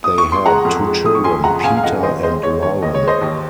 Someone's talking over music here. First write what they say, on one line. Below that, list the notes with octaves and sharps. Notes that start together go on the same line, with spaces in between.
They had two children, Peter and Lauren.
D#6
C#6
C6
G#3 F#5 A#5
F2
G#3
F2 D#6
C#6
F2 G#5 C6
C#3 F#5 A#5
C#3 F5 G#5
F5
F2 D#5 F#5
D#2 C5 D#5
G#3 C5 D#5
G#3 C#5
D#2 C#5
D#2 D#5
C#5
G#3
C5 D#5
D#2